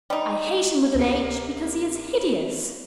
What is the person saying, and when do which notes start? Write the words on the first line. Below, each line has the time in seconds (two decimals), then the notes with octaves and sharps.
I hate him with an H, because he is Hideous.
0.10 G3 D#4
0.95 D2 C3 A#3